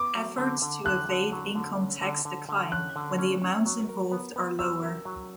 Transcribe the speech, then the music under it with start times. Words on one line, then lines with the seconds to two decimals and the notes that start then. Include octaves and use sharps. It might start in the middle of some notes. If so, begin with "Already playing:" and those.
Efforts to evade income tax decline when the amounts involved are lower.
Already playing: B3 D6
0.15 F#3
0.38 D3
0.62 D3
0.85 D3 F#6
1.09 D3
1.32 F#3
1.55 D3
1.79 C#4
2.01 D3
2.25 D3
2.49 D3
2.71 C#4 F#6
2.96 D3
3.19 C#4
3.42 C#4
3.66 F#3
3.89 A#4
4.12 B3
4.36 B3
4.59 F#3 E6
4.82 A#4
5.05 F#3